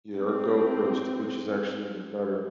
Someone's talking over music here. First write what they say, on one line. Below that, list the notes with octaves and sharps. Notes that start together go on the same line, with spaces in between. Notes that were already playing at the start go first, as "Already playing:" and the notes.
Yeah, or goat roast, which is actually even better.
C4